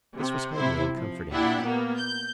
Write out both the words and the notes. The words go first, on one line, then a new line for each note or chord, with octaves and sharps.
This was homely and comforting.
C3
C3 E4 C5
F3
A#2 D4 E4 G4 F#5
A#3 B3
G6